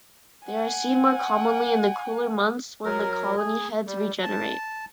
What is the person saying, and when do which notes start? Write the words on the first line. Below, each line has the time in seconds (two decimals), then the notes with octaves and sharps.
They are seen more commonly in the cooler months when the colony heads regenerate.
0.46 F#5 G#5
2.85 F#3 A#4
3.37 G#4
3.87 G3
4.23 A5